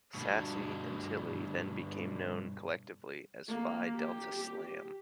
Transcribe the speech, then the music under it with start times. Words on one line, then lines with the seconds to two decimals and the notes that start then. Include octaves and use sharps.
Sassi and Tilly then became known collectively as "Phi Delta Slam".
0.15 G2 B2
3.48 A#3
3.95 G4